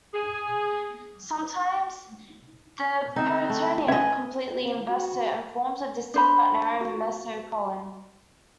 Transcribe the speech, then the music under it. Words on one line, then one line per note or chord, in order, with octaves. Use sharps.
Sometimes the peritoneum completely invests it and forms a distinct but narrow mesocolon.
G#4
D3 B3 C4 D#4 E5
A3
C#4 B4 D#5 E5 G#5 G#6
C4
F#4
D4 C5 B5
F#4